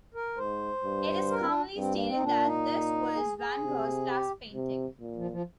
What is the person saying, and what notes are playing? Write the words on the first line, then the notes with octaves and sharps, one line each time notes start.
It is commonly stated that this was van Gogh's last painting.
A#4
G#2 C5
G2
A#4
C4
D4
G2 C4
A#3
C4
D#4
A#2 D4
D#4
G#4
G#4
C3
G4
C3
A#2
F3
F3